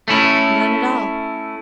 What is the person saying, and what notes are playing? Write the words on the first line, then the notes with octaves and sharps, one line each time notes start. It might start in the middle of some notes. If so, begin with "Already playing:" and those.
"None at all."
A3 C#4 E4